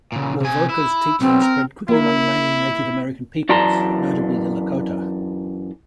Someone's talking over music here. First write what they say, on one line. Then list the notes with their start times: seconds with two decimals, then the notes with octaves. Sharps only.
Wovoka's teachings spread quickly among many Native American peoples, notably the Lakota.
0.12 A#2 C#3
0.41 C3 G#5
0.69 E4
1.20 B1 B2 C4
1.42 A#4
1.89 A#3 E4 A#4
3.49 F#2 E3 D5 A5 A#5 C6